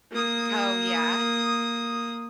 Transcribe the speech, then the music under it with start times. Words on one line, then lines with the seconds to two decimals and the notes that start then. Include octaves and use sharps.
Oh, yeah.
0.12 A#3 D#6